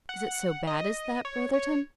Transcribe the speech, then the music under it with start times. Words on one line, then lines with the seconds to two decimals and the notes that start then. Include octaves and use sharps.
"Is it so bad as that, Brotherton?"
0.09 F#5
0.67 D#5
1.25 C#5
1.53 C#5